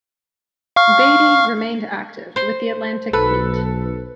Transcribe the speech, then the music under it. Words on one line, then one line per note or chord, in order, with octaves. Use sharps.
"Beatty" remained active with the Atlantic Fleet.
F5 C#6 F6
C5 C6
B1 A4 B4